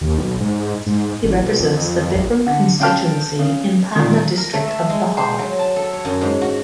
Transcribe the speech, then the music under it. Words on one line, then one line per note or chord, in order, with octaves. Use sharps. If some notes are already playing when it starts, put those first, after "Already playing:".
He represents the Bikram constituency in Patna district of Bihar.
D#2
B1
G#2
G#2
A1
B1
F2
A#1
D3
C#3 F5 G5 A5 F6
C#3
A#2 D#3
A#4
A3
E5
G#3
C5
F#3
A5
A4
C#5
F#2
G#2
F#4